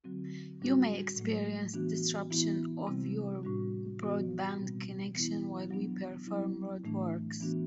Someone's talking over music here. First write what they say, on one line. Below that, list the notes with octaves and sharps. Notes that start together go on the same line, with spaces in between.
You may experience disruption of your broadband connection while we perform road works.
D3 F#3 C4 F#4
A2 G3 D4 F#4
A2 F#3 A3
E3 B3 D4 F#4
E3 B3 E4
C3 G3 C4
A2 G3 D4 F#4
E3 B3 F#4
B2 G3 C4
E3 B3 E4
F#3 B3 D4
F#3 C4 E4
A2 E3 A3 D4
E3 B3 D4 F#4